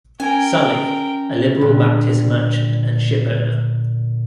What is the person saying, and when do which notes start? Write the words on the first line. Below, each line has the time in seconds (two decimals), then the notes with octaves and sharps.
Sully, a liberal Baptist merchant and ship-owner.
0.20 C#4 A#4 G5 G#5
1.61 A#2 D3 G3 B3